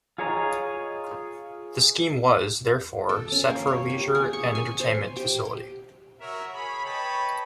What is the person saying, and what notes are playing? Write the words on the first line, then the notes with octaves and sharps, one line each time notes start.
The scheme was, therefore, set for a leisure and entertainment facility.
F4 G#4 C#5 D#5 A#5
A4
C#4
A#3
C#5
G4
G#4
C#6
G#5
C5
G4
F#4 A#4 C#5 E5
G#4 C#5 B5
B4 C#5 D#5 G5 A5 B5